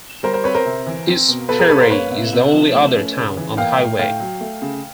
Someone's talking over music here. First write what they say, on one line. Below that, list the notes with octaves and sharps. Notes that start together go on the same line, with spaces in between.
East Prairie is the only other town on the highway.
G3 A#4 C5
A#4 C5
C4 B4 C#5
A#4 C5
C3
E3
C4
B2
B2 A4 B4
G#4 A#4
G#3 A4 B4
A#4 C5
A#3 B4 C#5
C3
C3
F3
A3
C#4
C#3
E3
A#3 F5 G5
A2
A2 F5 G5
F#3
A3
C#3